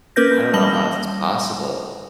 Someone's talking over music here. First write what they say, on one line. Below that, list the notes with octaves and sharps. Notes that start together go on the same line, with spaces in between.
I don't know how it's possible.
A#3 C#4 A#4 B4 G6 A#6
G3 A5 A#6 F#7 G7